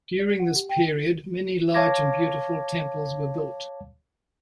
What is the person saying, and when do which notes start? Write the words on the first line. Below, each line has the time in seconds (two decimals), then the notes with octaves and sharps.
During this period, many large and beautiful temples were built.
0.19 D5
0.39 F#5
0.55 G4
0.69 G5
1.74 C#5 F5 A5 D6 G#6 A#6